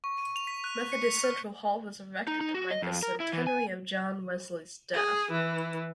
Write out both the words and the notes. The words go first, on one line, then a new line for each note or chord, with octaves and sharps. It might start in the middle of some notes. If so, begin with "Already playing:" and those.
Methodist Central Hall was erected to mark the centenary of John Wesley's death.
C#6
D#7
F7
B6
F#6
C#7
B6
F6
D#4
D#4
F#4
D#5
F2
A#4
E4
E3
G#5
G#4
E3